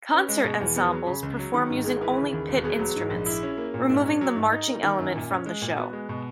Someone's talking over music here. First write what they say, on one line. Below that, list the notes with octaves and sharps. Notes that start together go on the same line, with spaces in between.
Concert ensembles perform using only pit instruments, removing the marching element from the show.
C#4 B4
G#3
B2 G#4
E2
B3 A#4
F#3
C#3
C#2
F#3
D#3
G#2
G#1 G#4
A#4
E3 B4
C#3
D#2
E1
F#4
B3 G#4
F#3
G#2
A#1
E4
C#4
A#3
A#2
G#2 A#4
C#4
F#3
G#2
D#4
A#3
D#3
F#2
A#2
C#4
G#3
A#2
B3 F#4
G#3
B2